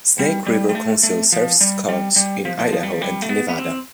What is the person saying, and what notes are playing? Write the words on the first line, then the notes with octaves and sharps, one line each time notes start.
Snake River Council serves Scouts in Idaho and Nevada.
G3
G3
G3
A3
A3
F3
G3
G3
G3
F3
F3
F3
G3
F3
G3
A3
B3
B3
C4